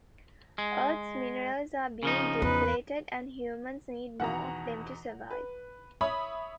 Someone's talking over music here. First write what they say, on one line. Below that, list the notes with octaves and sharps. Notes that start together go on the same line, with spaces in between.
Earth's minerals are being depleted and humans need more of them to survive.
G#3
C#3 F3 D#4
E2 B4
E2 B2 D#3 F#5 A#5
B4
C#5 E5 B5 D#6